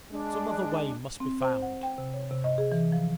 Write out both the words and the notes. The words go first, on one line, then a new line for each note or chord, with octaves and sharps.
"Some other way must be found," he thought.
G#3 D4
C4
C5
F#5
G5
C3
C#5
C3
D#5
G#4
E3
F3